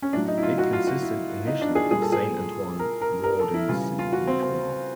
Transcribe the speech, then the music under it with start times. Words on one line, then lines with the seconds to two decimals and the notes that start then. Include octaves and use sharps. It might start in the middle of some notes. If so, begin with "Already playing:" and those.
It consisted initially of Saint Antoine ward in the city of Montreal.
0.02 C#4
0.13 A2 F#3 D4
0.28 D#4
0.38 E4
0.43 F4
0.58 F#4
0.73 F4
0.87 F#4
1.02 E4
1.47 D#4
1.61 D4
1.75 G#4
1.91 A#2 G3 G#4
2.02 A4
2.12 G#4
2.79 A#4
3.01 A#4
3.24 A#4
3.39 A4
3.54 E4
3.69 C#3 E3 G3 F4
3.99 F4
4.12 F#4
4.27 C4
4.43 C4